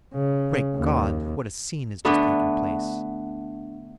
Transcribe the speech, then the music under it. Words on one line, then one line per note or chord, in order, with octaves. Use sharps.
Great God! what a scene has just taken place!
C#3
D#2
D3 A3 B3 D4